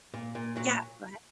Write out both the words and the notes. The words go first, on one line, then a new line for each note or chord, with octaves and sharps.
yeah, go ahead.
A#2
A#2
A#2 F#3